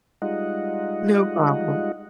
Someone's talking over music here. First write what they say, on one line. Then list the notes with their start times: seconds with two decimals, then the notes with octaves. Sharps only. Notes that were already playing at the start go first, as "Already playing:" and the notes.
No problem.
0.22 G3 G#3 D#4 F4 D#5 F#5